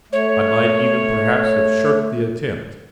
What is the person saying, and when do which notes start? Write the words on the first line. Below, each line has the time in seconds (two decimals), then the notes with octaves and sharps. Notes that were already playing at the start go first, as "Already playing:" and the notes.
I might even perhaps have shirked the attempt.
0.12 A3 C#5